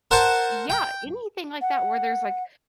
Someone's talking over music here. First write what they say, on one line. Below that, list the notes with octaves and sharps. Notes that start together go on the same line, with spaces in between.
yeah, anything like that where there's like,
A#4 C5 F#5 A5
G5
F#5